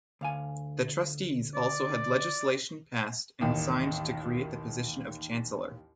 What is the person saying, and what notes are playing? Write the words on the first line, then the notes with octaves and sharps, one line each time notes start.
The trustees also had legislation passed and signed to create the position of chancellor.
D2 F5 G#5
D5
A1 D#2 D#3